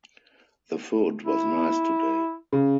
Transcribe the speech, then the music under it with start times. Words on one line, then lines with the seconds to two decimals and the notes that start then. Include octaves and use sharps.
The food was nice today.
1.25 E4
2.52 C#3